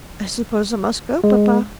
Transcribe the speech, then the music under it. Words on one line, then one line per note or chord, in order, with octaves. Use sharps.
"I suppose I must go, papa?"
G#3